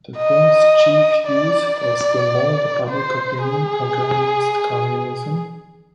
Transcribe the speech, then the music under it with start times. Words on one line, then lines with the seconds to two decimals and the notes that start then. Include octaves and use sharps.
The film's chief use was to mold public opinion against communism.
0.17 D#5
1.26 D5
1.81 D5
2.89 C5
3.44 G#4